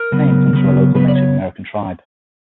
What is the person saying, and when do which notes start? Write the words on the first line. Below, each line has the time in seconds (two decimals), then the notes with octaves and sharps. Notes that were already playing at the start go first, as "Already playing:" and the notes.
The name comes from a local Native American tribe.
Already playing: A#4
0.12 C#3 F#3 B3
0.53 C#3 F#3 B3
0.95 C#3 F#3 B3 B4
1.08 D5
1.15 C#5